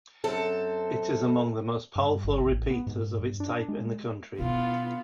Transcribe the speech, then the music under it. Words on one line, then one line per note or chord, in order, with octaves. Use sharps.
It is among the most powerful repeaters of its type in the country.
F#2 C4 A4 C5
G2
G1
A1
B3
G#2
G2
D4
G#3
B2 B3 D4 F4